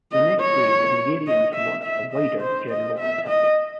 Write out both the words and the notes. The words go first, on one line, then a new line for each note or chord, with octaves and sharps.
The next day the Hungarians launched a wider general attack.
D#5
C#5
D#5
E5
E5
D#5
C5
D#5
E5
D#5